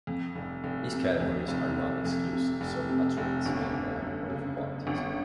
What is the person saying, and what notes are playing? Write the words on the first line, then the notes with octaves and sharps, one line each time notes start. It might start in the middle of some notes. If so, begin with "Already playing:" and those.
These categories are not exclusive, so an utterance may well have both qualities.
F2
F1
F1
C3
F2
F1
F1
F2
C3
F1
C3
F1
G1
G1
F#2
C#3
C#3
G1